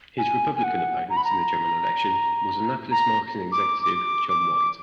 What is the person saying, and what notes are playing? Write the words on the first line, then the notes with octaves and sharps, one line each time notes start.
His Republican opponent in the general election was Annapolis marketing executive John White.
G#5
G#5
F#5
A#5
B5
A#5
A#5
D6
D6
D6